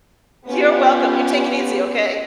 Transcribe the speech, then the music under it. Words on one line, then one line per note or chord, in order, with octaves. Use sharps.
You're welcome, you take it easy, okay?
B3 C#4 F4 G4